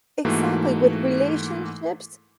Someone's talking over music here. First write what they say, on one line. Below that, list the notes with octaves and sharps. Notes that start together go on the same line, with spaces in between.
Exactly with relationships.
G#2 E3 A3 A#3 F#4